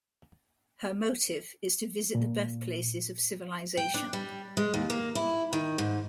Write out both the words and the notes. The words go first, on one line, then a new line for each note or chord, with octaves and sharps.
Her motive is to visit the birthplaces of civilisation.
A#2
G5
D4
G3
G#3
D#2
A#3
E4
D#3
G#2